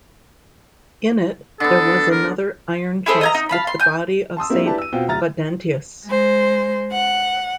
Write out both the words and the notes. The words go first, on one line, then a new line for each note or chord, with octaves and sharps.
In it, there was another iron chest with the body of Saint Gaudentius.
D3 B3 A4
A#4
E4 G#4 A4 C5
D#5 G#5 A#5
D#4
F5 A5 B5
C6
G#5 G6
A5 C6 D#6 E6
G3 A#3 C4 D4 E4 G4
D4 E4 G4 B4 A5
E6 D#7
B2 C4 F4 G5
D1 E5 A#5 F6 A6
G#3 C5
F#5